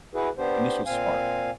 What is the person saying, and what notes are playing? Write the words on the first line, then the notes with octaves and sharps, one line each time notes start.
initial spark
E4 F#4 G#4 B4
B3 D4 G4 C5
A#2 C4 F5 G#5